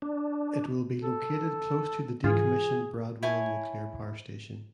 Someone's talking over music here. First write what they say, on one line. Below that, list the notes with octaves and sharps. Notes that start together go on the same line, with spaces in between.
It will be located close to the decommissioned Bradwell nuclear power station.
D4
A4
G#2 E3 F4 G#4
E4 C#5 G#5 A5